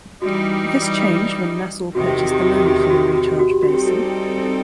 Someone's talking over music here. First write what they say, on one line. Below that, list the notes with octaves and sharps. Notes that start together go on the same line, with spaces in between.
This changed when Nassau purchased the land for the recharge basin.
E3 G3 D#4 F#4
E2 C3 D#3 F#4
G4
F#4
G4
F#4
G4
F#4
G4
F#4
G4
F#4
G4
F#4
G4
F#4
G3 C4 D#4 A4
G4
F#4